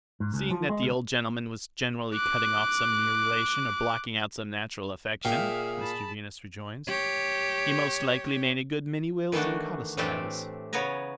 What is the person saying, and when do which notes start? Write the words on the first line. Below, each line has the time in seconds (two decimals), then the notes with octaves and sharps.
'Seeing that the old gentleman was generally cutting off some near relation, or blocking out some natural affection,' Mr Venus rejoins, 'he most likely made a good many wills and codicils.'
0.20 G#2
0.34 C#2
0.51 F3
0.70 G#3
0.83 C#2
2.15 D6 F#6
5.25 A#2 G#4 E5 F5 G5
5.80 A5 B5
6.87 G4 C#5
9.32 D#3 E3 A3 D4 F#4
9.97 A2 E3 A3 C4 D4 G4
10.73 C#3 B3 C#5 G#5 A#5